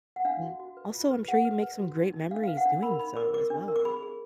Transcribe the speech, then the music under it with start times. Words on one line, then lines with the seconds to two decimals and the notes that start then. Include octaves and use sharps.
m also, I'm sure you make some great memories doing so as well.
0.16 F#5
0.25 D4 F5
0.43 F#4
0.60 F#4
0.77 B4
0.94 F4
1.11 B4
1.28 G#4 F#5
1.45 B4
1.63 B4
1.80 F#4
1.97 D#4
2.14 D#4
2.31 D4 F5
2.44 F5
2.48 B4
2.57 F#5
2.65 D4
2.82 A#4 B5
2.99 D#4 B5
3.16 A#4 D6
3.33 A#4 D6
3.50 D4
3.68 A#4
3.76 D6
3.85 G#4 B5
4.02 G#4